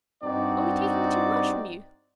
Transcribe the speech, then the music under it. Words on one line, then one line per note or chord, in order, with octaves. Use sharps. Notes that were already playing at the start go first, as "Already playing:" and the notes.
Are we taking too much from you?
G2 C4 D#4 F#4 D5